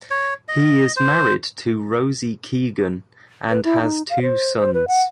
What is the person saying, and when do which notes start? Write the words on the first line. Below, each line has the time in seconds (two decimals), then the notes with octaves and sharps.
He is married to Rosie Keegan and has two sons.
0.11 C#5
0.48 D#5
0.97 C5
3.50 B4
3.64 E4
3.82 D#4
4.10 F5
4.22 C5
4.57 C5
4.74 B4
4.88 F#5